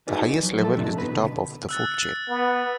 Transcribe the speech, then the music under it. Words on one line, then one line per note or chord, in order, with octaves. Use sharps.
The highest level is the top of the food chain.
D#4 F#4 G#4 B4 D5
F3 F#3
A4 E5 F5 A5
F2 A2 C3 F3 D4
B3 D#4 B4
B2 D3
E6 F#6 A6
B3